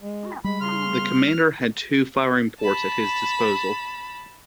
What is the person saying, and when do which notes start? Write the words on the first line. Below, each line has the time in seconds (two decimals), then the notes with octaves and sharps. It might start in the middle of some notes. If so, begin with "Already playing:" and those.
The commander had two firing ports at his disposal.
0.02 G#3
0.44 G3 G#3 B5
0.60 C#3 C6 F6
2.61 A5 B5